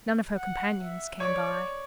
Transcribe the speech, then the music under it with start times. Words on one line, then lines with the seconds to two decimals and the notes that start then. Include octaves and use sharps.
None of her companions came by.
0.35 F#5
0.78 E5
1.20 C#5 D5